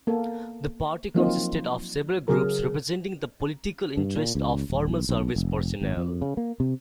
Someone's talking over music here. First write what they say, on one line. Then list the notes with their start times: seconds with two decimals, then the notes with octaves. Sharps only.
The Party consisted of several groups representing the political interests of former service personnel.
0.07 A#3 B3 A4
1.15 F3 F#3 A#3 C4 D#4 F4
2.28 C#3 F#3 G#4 A#4
3.97 G2
4.16 A#2
4.35 C#2
4.70 D#1
4.88 B1
5.09 B1
5.36 F1
5.81 G#1
5.97 F2
6.22 C#3
6.37 A#3
6.60 C3